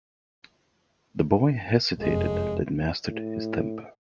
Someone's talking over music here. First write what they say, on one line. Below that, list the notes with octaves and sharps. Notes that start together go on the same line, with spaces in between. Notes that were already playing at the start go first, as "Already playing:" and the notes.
The boy hesitated, then mastered his temper.
F1 F#2 G#3
A2